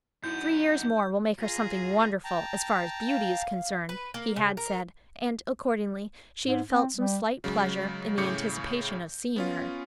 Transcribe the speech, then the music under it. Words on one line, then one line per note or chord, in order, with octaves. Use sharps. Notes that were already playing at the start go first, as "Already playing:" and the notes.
"Three years more will make her something wonderful, as far as beauty is concerned," he had said; and, accordingly, she had felt some slight pleasure in the anticipation of seeing her.
F#2 B3 D#4 E4 G6
F4 G#4 A#5
G5 A5 A#5
F5
B4
A#3
C#3
A#4
G#2
C4
G3
C#3 F#3 G#3
A2 C#3 C#5 D6 G6 C#7
B3 C#4 F4